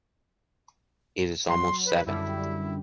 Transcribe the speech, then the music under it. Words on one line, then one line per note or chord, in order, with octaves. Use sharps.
It’s almost seven.
F#3 C6
B4
F#2 D3 G3 E4